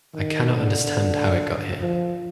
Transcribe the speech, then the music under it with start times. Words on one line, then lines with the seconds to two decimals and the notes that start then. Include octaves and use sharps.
I cannot understand how it got here.
0.14 D#3
0.56 D3
1.81 F3